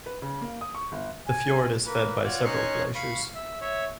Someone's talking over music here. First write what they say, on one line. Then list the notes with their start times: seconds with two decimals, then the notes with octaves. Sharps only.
The fjord is fed by several glaciers.
0.06 B4
0.22 C#3
0.42 A#3
0.61 D#6
0.75 C#6
0.92 G1
1.27 G#5
1.86 A#3 B4
2.24 F4 F#4 C#5 D5
2.45 C#4 D#4 C#5 C6 C#6 F#6
2.95 F5 B5 C#6
3.35 E5
3.61 C#5 E5